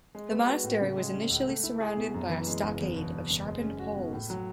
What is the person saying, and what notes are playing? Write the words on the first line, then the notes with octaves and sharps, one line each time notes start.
The monastery was initially surrounded by a stockade of sharpened poles.
G#3
B3
F#4
A2
C#3
G#3
C#4
C#2
A3
E4
G#4
B2
F#2
E3
G#3
F#1
E2
B2
F#1
F#1
G#3
C#4
F#4
B2
A2
F#3